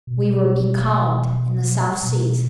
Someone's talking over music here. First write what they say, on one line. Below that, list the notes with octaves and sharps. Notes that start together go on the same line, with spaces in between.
We were becalmed in the South Seas.
B2
B2